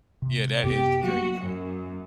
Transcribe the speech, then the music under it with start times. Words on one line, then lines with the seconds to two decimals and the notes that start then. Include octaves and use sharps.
Yeah, that is crazy.
0.22 C3
0.63 F#2 C3 B3 G4
1.03 F#3 A#3 F#4
1.40 F#2